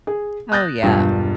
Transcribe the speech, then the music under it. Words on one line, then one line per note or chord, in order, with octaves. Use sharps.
Oh, yeah.
G#4
D#6 F#6 G6 A6 A#6
E1 G2 G3 F4